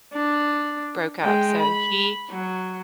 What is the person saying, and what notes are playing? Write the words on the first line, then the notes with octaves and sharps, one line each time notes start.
broke up, so, he
D4
G#3 G5
B5
F#3